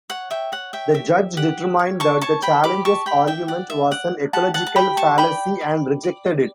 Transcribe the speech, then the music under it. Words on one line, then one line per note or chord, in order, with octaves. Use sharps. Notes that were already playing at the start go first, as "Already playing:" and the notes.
The judge determined that the challengers' argument was an ecological fallacy and rejected it.
C#5 F#5
E5 G5
C#5 F#5
E5 G5
G4 E5
G4 F#5
C#5
A5 C#6
C#5 A5 C#6
G5 B5
G4 B5 D6
A5 C#6
G4 G5 B5
E5 G5
D5 F#5
E5
D5 F#5
G4 F#5 A5
F#5 A5
A5
G4 G5 B5
A5 C#6
D5 G5 B5
D5
D5